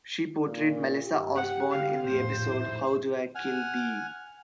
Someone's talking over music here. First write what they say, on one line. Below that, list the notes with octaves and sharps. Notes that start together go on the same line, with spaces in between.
She portrayed Melissa Osborne in the episode How Do I Kill Thee?
A#2
G2 G4
F#5
D3 F5
A#1 F2 A2 C5
E4
F#5 G#5 F6